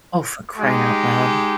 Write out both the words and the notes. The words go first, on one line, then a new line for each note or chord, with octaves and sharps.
Oh, for crying out loud.
G#3 D#4 G4